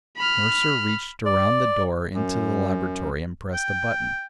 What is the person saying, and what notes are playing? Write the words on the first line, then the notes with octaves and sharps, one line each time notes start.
Mercer reached around the door into the laboratory and pressed a button.
B5 F6
D5
F#2
G5